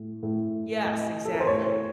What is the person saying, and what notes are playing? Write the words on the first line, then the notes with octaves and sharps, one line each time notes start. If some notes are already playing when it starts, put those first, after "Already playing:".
Yes, exactly.
Already playing: A2
A2
A2 D#5
A4
A#4
C5
A2 C#5